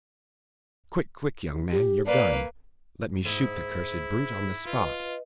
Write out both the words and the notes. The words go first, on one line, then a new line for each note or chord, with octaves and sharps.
"Quick, quick! young man--your gun; let me shoot the cursed brute on the spot."
G4
A#3 B4 D5
G#2 E4
F4 B4 D#5